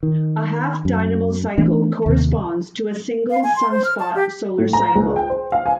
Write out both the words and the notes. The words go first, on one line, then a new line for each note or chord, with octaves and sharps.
A half dynamo cycle corresponds to a single sunspot solar cycle.
D#3
F#2
E3 A3 B3 D4
D#2 C3
F5
G#5
C6
C5
F6
A5
G4
A2
A#5
C#2
G5
C5
F5
G#5